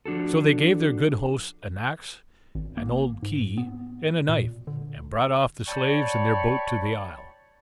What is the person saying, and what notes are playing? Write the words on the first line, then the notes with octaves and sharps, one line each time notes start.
So they gave their good hosts an axe, an old key, and a knife, and brought off the slaves in their boat to the isle.
F3 D4 F#4 A4
G#1
A#3
G#2
B3
A#2
D3
C#5 D5 G5 A5 B5 C#6